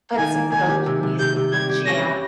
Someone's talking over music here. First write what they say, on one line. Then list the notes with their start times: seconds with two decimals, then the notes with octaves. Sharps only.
Put some goat cheese and jam.
0.18 D#3 G#5
0.35 A#3
0.51 D#3 G#5
0.69 G4
0.86 C3
1.03 C3
1.19 C3 G6
1.36 C3
1.52 G3 G#6
1.69 G4
1.86 C#4 A#6
2.03 G4